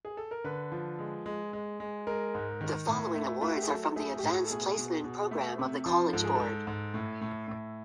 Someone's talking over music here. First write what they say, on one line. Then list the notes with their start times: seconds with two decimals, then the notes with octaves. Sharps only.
The following awards are from the Advanced Placement Program of the College Board.
0.05 G#4
0.17 A4
0.31 A#4
0.44 D3 B4
0.72 F3
0.99 G#3
1.26 G#3
1.53 G#3
1.80 G#3
2.07 G#3 A#4
2.34 G#2
2.61 D#3
2.88 A2
3.15 A3
3.41 A3 F4
3.48 F#4
3.55 G4
3.62 G#4
3.69 F#3 A4
3.96 A3 G#4
4.19 G4
4.23 A2 G#4
4.45 A4
4.50 B2 G#4
4.78 B2
5.04 B2
5.31 A3
5.59 C3
5.86 F3
6.13 G#2 A4
6.24 G#4
6.35 G#2 A4
6.67 G#2
6.94 A2
7.21 A2
7.48 A2